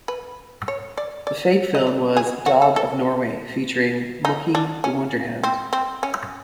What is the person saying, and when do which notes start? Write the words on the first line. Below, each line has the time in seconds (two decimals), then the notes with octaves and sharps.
The fake film was "Dog of Norway" featuring "Muki the Wonder Hound".
0.08 B4
0.68 C#5
0.97 D5
1.27 D5
1.75 D#5
1.87 D5
2.17 G#4
2.46 F#4
2.62 A4
2.76 A4
4.25 D#4
4.55 D4
4.84 C#4
5.44 C4
5.73 C4
6.03 C#4